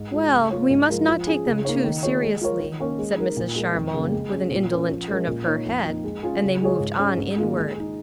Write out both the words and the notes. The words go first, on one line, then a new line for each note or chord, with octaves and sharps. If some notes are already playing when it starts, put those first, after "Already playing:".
"Well, we must not take them too seriously," said Mrs. Charmond, with an indolent turn of her head, and they moved on inward.
Already playing: G#2
G#3 F4
C#3
A#3 F4 C#5
G#2
F3 G#3 F4 A#4
F3
C#4 G#4
C#3
A#3 D#4 C#5
D#3
A#3 F4 G#4 C#5
G#3
F4 A#4 C#5
D#3
A#3 C#4 A#4 C#5
G#3
D#4 A#4
A#2
G#3 F4 A#4
F2
C#3 A#3
G#3
C#4 G#4
A#2
A#3 C#4 F4 A#4
F3
G#3 C#4 A#4
A#2
A#3 D#4 C#5
F2
F3 A#3 D#4
G#3
C#4 F4 G#4
C#3
G#3 F4 G#4 C#5
G#2
G#3 C#4
G#2
D#3 A#3 F4 G#4
G#3
D#4 G#4